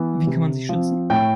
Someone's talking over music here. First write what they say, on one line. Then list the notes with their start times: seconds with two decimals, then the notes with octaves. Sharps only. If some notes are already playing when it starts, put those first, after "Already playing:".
Wie kann man sich schützen?
Already playing: E3 B3
0.27 C3
0.69 F3 C4
1.10 A2 G5